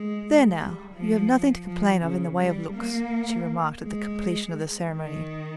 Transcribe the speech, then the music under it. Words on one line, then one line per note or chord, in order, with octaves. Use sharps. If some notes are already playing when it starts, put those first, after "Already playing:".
"There now, you have nothing to complain of in the way of looks," she remarked at the completion of the ceremony.
Already playing: G#3
G3
F3
F3
C#3
G3
A#3
G#3
D#3